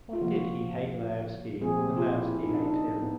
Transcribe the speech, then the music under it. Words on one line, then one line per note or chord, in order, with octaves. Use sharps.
Why did he hate Laevsky and Laevsky hate him?
F4
C3 F3 A#3 F#4
A#2 F3 A3 C4 G#4
G4
F4
E4
E4
D#4
D4
D#4
B3